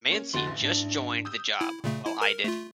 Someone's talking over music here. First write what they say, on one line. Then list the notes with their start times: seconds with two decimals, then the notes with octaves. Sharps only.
Mansi just joined the job while I did.
0.09 A#3 C#4
0.34 F1 D3 F#4 C6 A6
0.47 A1
0.62 G#2 D4
1.25 D#6 E6 G6
1.61 E4
1.84 A#2 C#3 A3
2.06 E4
2.21 A#4
2.44 A3 F4